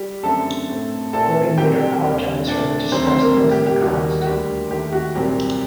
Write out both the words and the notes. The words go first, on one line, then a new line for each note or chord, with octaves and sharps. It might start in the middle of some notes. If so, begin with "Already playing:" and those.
Gordon later apologised for the distress the incident caused.
Already playing: G3 G4
F#2 D3 A3 C4 A4 A5
A2 A3 C4
A#2 A3 C4 A4 A5
A#2 F#3 C4 G4 G5
D#2 D3 G3 C4
A#2 A3 C4 D4 D5
D2 C3 D#3 F#3 C4 C5
C4 C5
A#3 A#4
A2 G3 A#3
G4
G4
D#2 D#3 G3 A#3 F#4
F#4
D2 D3 G3 A#3 G4
D#2 D#3 A3 G4
F#4
C2 A#2 F#3 C4 G4